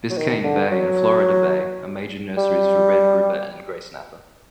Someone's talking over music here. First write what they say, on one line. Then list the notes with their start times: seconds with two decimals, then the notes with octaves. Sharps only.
Biscayne Bay and Florida Bay are major nurseries for red grouper and gray snapper.
0.10 F#3
0.17 D#3
0.44 D3
0.72 F#3
2.37 G3